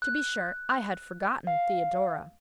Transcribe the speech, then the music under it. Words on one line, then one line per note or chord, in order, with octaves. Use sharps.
"To be sure; I had forgotten Theodora."
F#6
F5